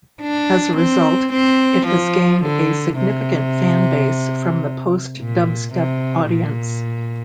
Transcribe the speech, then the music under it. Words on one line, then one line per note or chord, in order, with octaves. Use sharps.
As a result, it has gained a significant fanbase from the post-dubstep audience.
D4
C4
C4
F3
D3
C3
A#2
C3
A#2